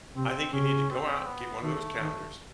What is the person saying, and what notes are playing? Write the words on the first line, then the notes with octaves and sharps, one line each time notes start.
I think you need to go out and get one of those calendars,
C3 C4
C#3 C#4
C4
B3
D#3 A3
D#3